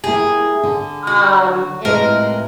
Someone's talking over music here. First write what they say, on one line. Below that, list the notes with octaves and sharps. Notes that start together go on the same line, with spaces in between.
um, and
A#3 E4 G4 G#4
D3
F#4
A2 C3 F3 G#3 A#4 B4 D#5